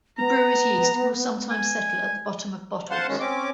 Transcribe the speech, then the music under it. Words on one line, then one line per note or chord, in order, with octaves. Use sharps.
The brewer's yeast will sometimes settle at the bottom of bottles.
B3 A#5
G#5
C5 F5 F#5 A5 C6
D#3 F#3 G#3 C#4
C4 C#4 D6